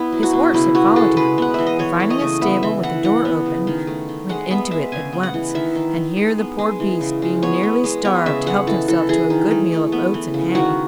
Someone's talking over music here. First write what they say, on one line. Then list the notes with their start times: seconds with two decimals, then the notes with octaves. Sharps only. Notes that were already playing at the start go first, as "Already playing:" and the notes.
His horse had followed him, and finding a stable with the door open, went into it at once; and here the poor beast, being nearly starved, helped himself to a good meal of oats and hay.
Already playing: B3 E4
0.12 F#3
0.23 F#4
0.33 B2
0.54 C#3 E4
0.75 B3 F#4
0.96 G#3 A4
1.17 G#3 B4
1.38 B3 F#5
1.54 E3 E5
1.67 D#5
1.79 E3 C#5
2.00 A3
2.10 D#5
2.21 C#3
2.41 B3 E5
2.63 E3 E5
2.83 E3 F#5
3.04 E3 F#5
3.25 B3
3.46 C#3
3.67 D#3
3.87 A3
4.09 D#3
4.29 G#3 F#5
4.51 B3 E5
4.71 G#3 E5
4.92 C#3 G#5
5.13 B3
5.23 F#5
5.34 E3
5.54 D#3 E5
5.76 D#3
5.96 D#3
6.17 G#3
6.38 B3
6.59 G#3
6.80 E3
7.01 C#3
7.22 G#3
7.42 B3 C#5
7.63 B3
7.84 G#3
8.05 B3 C#5
8.26 C#3 E5
8.46 G#3 F#5
8.67 E3 A4
8.88 E3 A4
9.09 E3 G#4
9.30 D#3
9.51 A3
9.72 A3
9.92 B3
10.14 E3
10.34 C#3
10.55 D#3 F#4